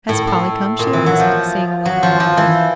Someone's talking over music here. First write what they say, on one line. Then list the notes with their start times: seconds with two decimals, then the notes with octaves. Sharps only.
"Has Polly come?" she asked, seeing only her father.
0.09 A2
0.27 A2
0.79 A#2
0.93 E3
1.06 F#3
1.19 F3
1.85 F#3
2.03 F3
2.20 F3
2.37 E3